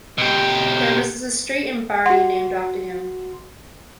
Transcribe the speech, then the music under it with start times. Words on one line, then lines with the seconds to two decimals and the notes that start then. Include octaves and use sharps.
There is a street in Barrie named after him.
0.18 B2 G4
2.06 F#4 F#5 C6